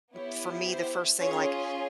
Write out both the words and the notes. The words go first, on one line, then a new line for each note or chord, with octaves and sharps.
u m for me the first thing, like,
B3 E4 G4 C#5
C5
C#4 F4 G#4 C#5